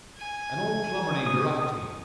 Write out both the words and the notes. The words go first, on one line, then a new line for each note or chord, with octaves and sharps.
An old plumber named Geraghty.
G#5
D#6